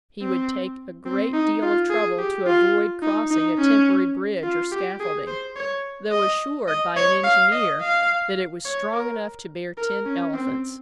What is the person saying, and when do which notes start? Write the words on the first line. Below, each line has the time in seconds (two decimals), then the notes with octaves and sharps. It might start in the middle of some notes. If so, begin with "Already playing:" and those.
He would take a great deal of trouble to avoid crossing a temporary bridge or scaffolding, though assured by an engineer that it was strong enough to bear ten elephants.
0.22 C4
1.05 C4
1.33 D#4
1.62 F4
1.90 G#4
2.18 G4
2.46 F4
3.02 D#4
3.30 D#4
3.58 C#4
4.43 F4
4.72 G4
5.00 G#4
5.27 C5
5.56 C#5
6.11 D#5
6.68 D#5
6.96 C#5
7.24 F5
7.52 D#5
7.81 F5
8.65 C#5
8.93 A#4
9.77 A#4
10.06 C#4
10.34 C4